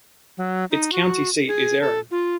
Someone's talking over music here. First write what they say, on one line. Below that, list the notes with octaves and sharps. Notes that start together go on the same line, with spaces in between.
Its county seat is Erin.
F#3
D#4
F#4
G#4
A4
F4